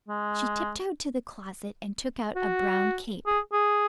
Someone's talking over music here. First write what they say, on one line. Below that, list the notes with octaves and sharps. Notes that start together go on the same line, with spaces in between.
She tiptoed to the closet and took out a brown cape.
G#3
F#4
G#4
G#4